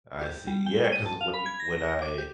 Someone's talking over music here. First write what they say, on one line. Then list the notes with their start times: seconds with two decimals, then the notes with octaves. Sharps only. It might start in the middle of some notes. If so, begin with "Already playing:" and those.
I see. Yeah, 'cause when you when I
0.21 G4
0.47 G3
0.66 G5
0.92 D#7
1.06 A5
1.21 F5
1.34 B5
1.46 G#6
1.60 A#6
1.78 A#6
2.02 D6
2.18 G4